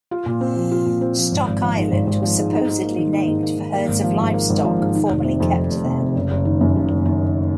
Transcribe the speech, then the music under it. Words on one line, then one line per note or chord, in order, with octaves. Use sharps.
Stock Island was supposedly named for herds of livestock formerly kept there.
F4
A#2
C4
F3
F4
A#2
C4
F3
G#1
G#1
F3
G#2
G#1
G#1
F3
G#2
D#4
G#2
A#3
D#3
D#4
G#2
A#3
D#3
A#3
G#1
F3
G#2
A#3
G#1
F3
G#2
D#3
F1
C3
F2
D#3
F1
C3
F2
F#1
F#1
D#3
F#2
F#1
F#1
D#3